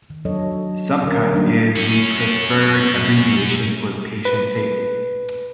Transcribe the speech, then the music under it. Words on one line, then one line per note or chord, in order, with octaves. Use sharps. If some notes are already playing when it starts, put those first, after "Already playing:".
Subcut is the preferred abbreviation for patient safety.
D#3
F#3 D4 A4 C#5 D#5
D3 C#4 A#4
F#3 G3 A3 A#3 D4 D#4
F#2 C#4
B4